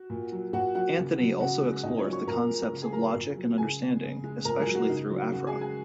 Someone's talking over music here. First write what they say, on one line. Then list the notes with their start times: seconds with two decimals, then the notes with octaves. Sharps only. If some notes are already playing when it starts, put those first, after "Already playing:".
Anthony also explores the concepts of logic and understanding, especially through Afra.
Already playing: F#4
0.10 A#2
0.32 F#3
0.53 A#2 F#4 F#5
0.75 F#3 F#4 F#5
0.98 C#3
1.19 F#3
1.40 C#3 F#4 F#5
1.62 G#3
1.83 A#2 D#4 D#5
1.98 C#4 C#5
2.06 F#3
2.13 C#5 C#6
2.27 A#2 A#4 A#5
2.50 G#3
2.71 C#3
2.82 G#4 G#5
2.92 F#3 A#4 A#5
3.15 A#2
3.36 F#3
3.58 C#3 G#4 G#5
3.81 G#3
4.02 C#3
4.24 G#3
4.45 A#2 A#4 A#5
4.60 G#3 G#4
4.67 F#3
4.75 F#4
4.89 C#3 D#4
5.10 F#3
5.32 C#3 F#4
5.47 G#4 G#5
5.54 G#3
5.61 G#4 G#5